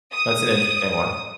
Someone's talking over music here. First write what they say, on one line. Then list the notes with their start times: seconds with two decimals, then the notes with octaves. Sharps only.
That's an interesting one.
0.12 D#6